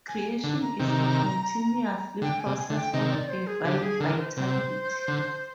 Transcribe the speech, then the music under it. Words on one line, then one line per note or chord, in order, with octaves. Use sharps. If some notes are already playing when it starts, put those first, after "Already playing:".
Creation is a continuous process of Divine vitality.
G#5
D3
A#5
C3 D#3
D3 G5
G#5
C3
G#5
D3
G5
C3 D#3 D#5
D5
C5
G#4
D3 G4
G#4
D3 A#4
C5
C3 C5
D3